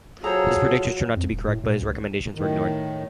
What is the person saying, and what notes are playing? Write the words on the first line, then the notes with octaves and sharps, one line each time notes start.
His predictions turned out to be correct, but his recommendations were ignored.
F#3 F4 G#4 A4 C5 A#5
F2
D#1
A2
A#2
C#2
A2 D#3